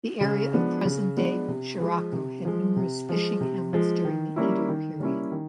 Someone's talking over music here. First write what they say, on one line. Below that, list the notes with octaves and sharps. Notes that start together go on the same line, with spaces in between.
The area of present-day Shirako had numerous fishing hamlets during the Edo period.
C#3
F3 G#3 B3 D4
C#3
F3 G#3 B3 D4
C3
F3 G#3
C3
F3 G#3
C3
F3 G#3
C3
F3 G#3
D#3
G3 A#3 C#4 E4
D#3
G3 A#3 C#4 E4
D#3